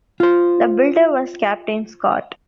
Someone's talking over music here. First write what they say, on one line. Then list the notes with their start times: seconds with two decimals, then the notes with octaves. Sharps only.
The builder was Captain Scott.
0.20 F4 C5